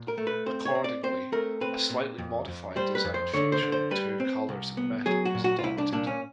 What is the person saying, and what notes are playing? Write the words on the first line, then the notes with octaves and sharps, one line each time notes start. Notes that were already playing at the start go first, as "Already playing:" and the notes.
Accordingly, a slightly modified design featuring two colours of metal was adopted.
Already playing: A#2
A#4
A3
B4
C4 C5
C#5
C4
D5
C4 C5
A3 A#4
C4 B4
A#2
F2
F2
G3 C5
B4
F2
C5
D3 C#5
C5
D3
C5
G3 B4
C4
C2
B3
F#3 G#4
F#4
A#2
F#4
F4
C2 E4
D4
A#2 D4
C#4